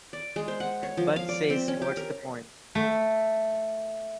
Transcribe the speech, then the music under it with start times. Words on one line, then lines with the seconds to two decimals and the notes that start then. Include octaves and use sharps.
Bud says What's the point?
0.13 D5
0.36 G#3
0.48 C5
0.60 F#5
0.83 C#5
0.97 F3
1.16 F5
1.29 D5
1.50 C4
1.68 C#4
1.82 G4
1.97 A#4
2.75 A3